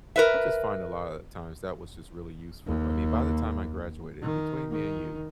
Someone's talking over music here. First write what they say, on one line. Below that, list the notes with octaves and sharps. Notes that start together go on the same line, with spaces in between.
I just find a lot of times that was just really useful, I mean, by the time I graduated, between me and you,
A#4 B4 E5
D#2
D#3
D#3